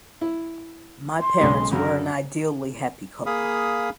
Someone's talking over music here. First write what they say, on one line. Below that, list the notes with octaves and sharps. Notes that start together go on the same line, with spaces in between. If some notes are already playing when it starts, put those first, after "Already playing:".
My parents were an ideally happy couple.
E4
C6
B1 C#3 G#3
F#2 C#3 A#4
A#3 G#4 F5 B5 D#6